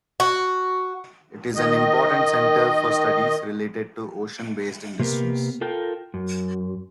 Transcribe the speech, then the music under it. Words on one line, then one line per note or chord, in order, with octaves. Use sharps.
It is an important center for studies related to ocean-based industries.
F#4
D#3 D#5
C3 A#3 B3 G4 A#4
F4 A4 A#4 G5
F#2